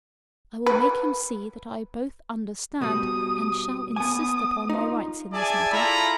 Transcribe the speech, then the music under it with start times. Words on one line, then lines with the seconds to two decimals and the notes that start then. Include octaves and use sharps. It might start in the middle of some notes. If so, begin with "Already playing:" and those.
I will make him see that I both understand and shall insist upon my rights in this matter.
0.66 B4
2.82 B2 G3 D#6
3.96 B3 G#5 D#6
4.70 D#4 F4
5.33 G#4 D5 E5 G#5 A5
5.72 E4 F4 A4 A#5 B5